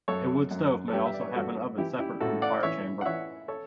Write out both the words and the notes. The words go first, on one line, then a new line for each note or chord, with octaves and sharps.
A wood stove may also have an oven separate from the fire chamber.
F#2 A4 C#5
F#2
A4
G2 G4 B4
E5
D5
C#5
B4
G2 F#4 A4
E3 E4 G4
E4 G4
A2 F#4 A4
D5 F#5
E3 C#5 E5
F#5
E3 C#5 E5
A4 C#5